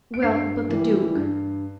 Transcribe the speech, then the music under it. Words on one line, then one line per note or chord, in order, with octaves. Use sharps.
"Well, but the duke?"
D7
G2 C7
E3 G3
G2